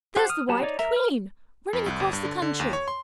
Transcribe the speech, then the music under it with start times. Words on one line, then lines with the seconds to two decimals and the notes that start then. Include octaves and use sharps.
'There's the White Queen running across the country!
0.16 G4 C5 F#5
0.30 D#6 F6
0.49 F#3 B3 G4 A5
0.63 D#4 C#5 D5
0.79 A#4 E5 A#5
0.96 F6
1.73 F2
1.86 C2
2.00 G1
2.13 G2
2.25 D3
2.42 D3
2.60 D#2
2.73 C#5
2.88 C6